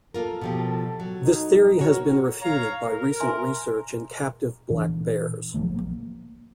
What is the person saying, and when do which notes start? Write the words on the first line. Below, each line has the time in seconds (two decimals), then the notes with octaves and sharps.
This theory has been refuted by recent research in captive black bears.
0.14 A#3 F4 A4 A#4
0.41 B2 F3 G4
1.00 F#3
1.23 D#4
1.79 F#4 A#4 C#5
2.40 C#5 F5 A#5
2.87 A#4
3.20 E5 G#5 C6
4.70 A#2 E3 D4
5.54 A#1 F3 F#3 A3
5.76 A#3